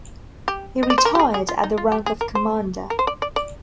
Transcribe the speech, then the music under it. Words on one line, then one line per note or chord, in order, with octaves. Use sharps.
He retired at the rank of Commander.
G4
D#5
D5
C5
A#4
G4
G#4
G#4
F4
D#4
F4
G4
G#4
A#4
C5
A#4
C5
D5
D5
D5